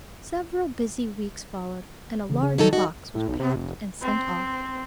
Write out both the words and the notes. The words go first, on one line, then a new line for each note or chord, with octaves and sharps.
Several busy weeks followed, and a large box was packed and sent off.
C#3 E3
C#3
D#3 F#3 G3 D#4 A4
D#4 F#4 D#5
A2
B1
C3
F1
C4